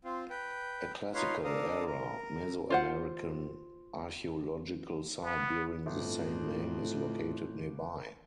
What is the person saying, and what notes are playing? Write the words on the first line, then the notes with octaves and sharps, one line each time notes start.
A classical era Mesoamerican archeological site bearing the same name is located nearby.
C4 F4
B4 G5
D#4 F4 B4 C#5 F5 C6
D4 A4 A#4 F5 D#6
A#4
F4 C5 F#5
B3
G1 F2 A2